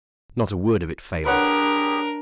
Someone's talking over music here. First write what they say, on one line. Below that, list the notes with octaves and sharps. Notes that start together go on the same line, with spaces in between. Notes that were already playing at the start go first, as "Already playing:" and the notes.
Not a word of it failed.
D4 G4 G#4 A#4 B4 C#5 F#5